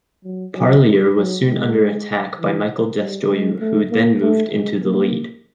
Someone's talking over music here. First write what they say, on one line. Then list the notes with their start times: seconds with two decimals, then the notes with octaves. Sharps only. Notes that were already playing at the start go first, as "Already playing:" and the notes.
Parlier was soon under attack by Michel Desjoyeaux, who then moved into the lead.
0.24 F#3
0.55 F#3
0.85 G3
1.16 F#3
1.46 G#3
2.37 E3
2.99 G3
3.29 G#3
3.60 A3
3.91 A#3
4.21 A3
4.51 G#3
4.82 A#3